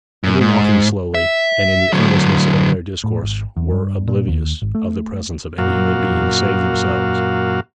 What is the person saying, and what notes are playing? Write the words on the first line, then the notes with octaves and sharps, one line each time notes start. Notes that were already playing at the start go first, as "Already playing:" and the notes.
They were walking slowly, and in the earnestness of their discourse were oblivious of the presence of any human beings save themselves.
F#2
G#2
E5
D3 F#3
A2
G#1
E2
G2
A#2
D#2
G#1
A3
F#2 A#2 F#4 F5